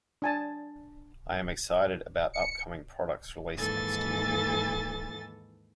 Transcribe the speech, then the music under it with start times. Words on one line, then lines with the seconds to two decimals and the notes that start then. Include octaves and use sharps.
I am excited about upcoming products released next year.
0.22 D4 G#5 A5
2.33 C#7
3.57 D#2 G#2 E3 A4 G#5 A6